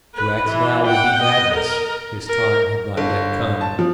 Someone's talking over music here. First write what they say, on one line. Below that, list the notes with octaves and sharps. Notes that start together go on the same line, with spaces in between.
To act now would be madness, his time had not yet come.
B4
E3
F#5 G5
D#5
A#4
A#4
G1
A5
F3